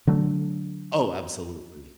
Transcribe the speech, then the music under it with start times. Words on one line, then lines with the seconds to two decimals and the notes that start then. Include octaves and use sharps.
Oh, absolutely.
0.07 D3 F#3 A3 D4